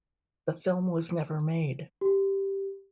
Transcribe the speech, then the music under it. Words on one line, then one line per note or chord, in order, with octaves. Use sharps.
The film was never made.
G4